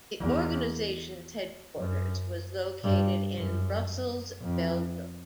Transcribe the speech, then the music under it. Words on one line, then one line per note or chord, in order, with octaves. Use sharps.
The organisation's headquarters was located in Brussels, Belgium.
E2
F#2
G2
F#2
F2